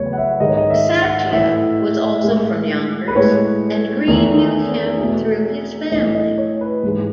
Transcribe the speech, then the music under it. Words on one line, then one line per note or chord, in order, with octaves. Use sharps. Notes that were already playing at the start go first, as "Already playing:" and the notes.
Bissacia was also from Yonkers and Greene knew him through his family.
Already playing: E2 C#3 F#3 A3 B4 C#5
F#5
E5
G#2 D#3 G#3 D#5
C#5
D#5
E5
F#5
A2 E3 A3 E5
A2 G#3
B4
A2 G#3 C#5
E2 D#3 A3
B2 A3
A2 E3 A3 D#5
D#5
C#5
B4
G#2 E3 G#3